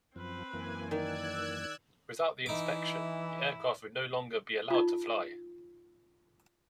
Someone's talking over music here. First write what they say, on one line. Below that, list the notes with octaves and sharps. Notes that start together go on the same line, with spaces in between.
Without the inspection, the aircraft would no longer be allowed to fly.
F#2 F3 C4 B4
F#2 E3 A#3 G#5
D#3 D5 E6 F#6 G#6
E3 D#4 E4 D6
D#4 F4